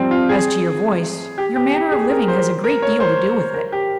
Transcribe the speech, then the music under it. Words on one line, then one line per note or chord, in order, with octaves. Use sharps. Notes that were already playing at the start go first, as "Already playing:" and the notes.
As to your voice, your manner of living has a great deal to do with it.
Already playing: F3 G3 C4
F4
G#4
G4
G4
G4
G#4
A#4
C5
A#4
C#5
C5
A#4
G4